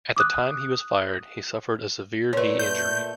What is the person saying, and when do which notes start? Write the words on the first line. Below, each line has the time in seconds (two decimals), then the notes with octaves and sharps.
At the time he was fired, he suffered a severe knee injury.
0.17 D6 D#6 F#6
2.33 A#2 A3 B4 C#5
2.59 G6